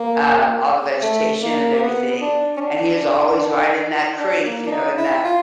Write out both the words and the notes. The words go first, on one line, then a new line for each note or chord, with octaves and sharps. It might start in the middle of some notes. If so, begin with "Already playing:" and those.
um, all the vegetation and everything, and he was always right in that creek, you know, in that
Already playing: A#3
A3
A#3
A#3
B3
D4
C#4
D4
D4
A#3
D4
D#4
E4
F4